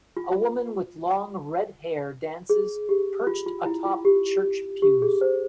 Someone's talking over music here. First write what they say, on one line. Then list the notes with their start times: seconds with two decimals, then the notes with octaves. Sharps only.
A woman with long, redhair dances, perched atop church pews.
0.17 F4
2.50 G#4
2.89 G4
3.27 F4
3.46 F4
3.66 E4
3.85 F4
4.05 G4
4.82 G4
5.02 G#4
5.21 C5